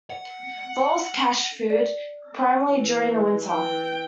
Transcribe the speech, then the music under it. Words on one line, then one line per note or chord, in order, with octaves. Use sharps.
Voles cache food, primarily during the winter.
F#5
D5
E3
E3 G5